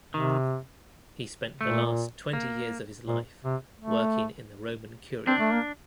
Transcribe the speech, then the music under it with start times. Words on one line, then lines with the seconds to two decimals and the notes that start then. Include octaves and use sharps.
He spent the last twenty years of his life working in the Roman Curia.
0.14 C3 D#3
1.60 A#2 A3
2.33 A#3
3.07 A#2
3.44 C3
3.80 A3
5.27 C4 D4
5.40 A3
5.52 A#3